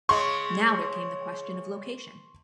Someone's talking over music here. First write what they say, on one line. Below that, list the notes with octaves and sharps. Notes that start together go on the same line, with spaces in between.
Now there came the question of location.
C#3 G#3 C6 C#6